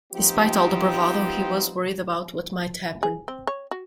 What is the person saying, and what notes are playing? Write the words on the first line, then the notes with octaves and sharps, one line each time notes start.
Despite all the bravado he was worried about what might happen.
F3 B3 C4 D#4 F4 G4
G#4
C4
C#5
F#4